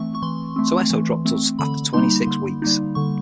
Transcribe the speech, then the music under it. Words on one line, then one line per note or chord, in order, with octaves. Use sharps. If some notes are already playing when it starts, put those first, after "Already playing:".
So Esso dropped us after twenty-six weeks.
Already playing: E3 A3 C4 C#6
C#6
E3 C6
A3 C4
E3
A3 C4
D3 B5
G3 A#3 D#4 C6
D3
G3 A#3 D#4
D3 C#6